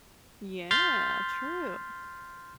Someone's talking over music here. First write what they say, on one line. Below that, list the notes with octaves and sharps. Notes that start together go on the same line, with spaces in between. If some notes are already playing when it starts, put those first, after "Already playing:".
Yeah, true.
C6 F6 G6 A6 B6